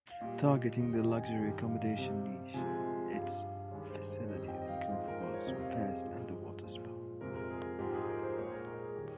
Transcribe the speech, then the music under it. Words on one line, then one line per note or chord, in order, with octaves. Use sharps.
Targeting the luxury accommodation niche, its facilities include the world's first underwater spa.
F5
A#2 G3 D#5
F2 D#3 G3 D#5
G5
G#5
G5
G2 D#3 G3 D#5
F5
C3 G3
C3 F3 G#3 G#5
G2 G3 F5
G2 D#3 G#3 C#5
C5
C5
C#5
F2 D#3 G3 D#5
G5
D#5
F5
G#2 F3 G#3
A#4
C5
C#5
F2 C3 G3 D#5
F5
G#4
C5
G2 F3 G#3
A#2 F3 G#3
F2 C3 F3 G#3 A#4
A#4
G#4
G#2 F3 G#3 G4
G#4
A#4
C5
A#2 G#3 C#5
A#4
A#4
G#4
D#3 G3 G4